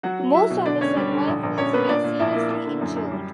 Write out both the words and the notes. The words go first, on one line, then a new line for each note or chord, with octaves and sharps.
Most of the survivors were seriously injured.
F#3 F#4 F#5
F#3
F#3 E4 E5
B2
D3 D4 D5
E1 C#4 C#5
G3
D3
A#1
A#1
A#1 C#4 C#5
A#3 B3 B4
A#2 D4 D5
A#2
A#1 E4 E5
A#3
A#3
D3
F#2
F#2
G3